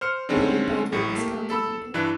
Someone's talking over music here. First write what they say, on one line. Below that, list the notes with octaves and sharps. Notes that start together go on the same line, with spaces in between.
But he badly miscalculated.
C5 F6 C#7
D3 D#3 G3 G#3 C4 C#4
A1 A2 C#6 C#7
A3 A#3 G4
A4 B5 E6
G2 E3 D4 E5 F#6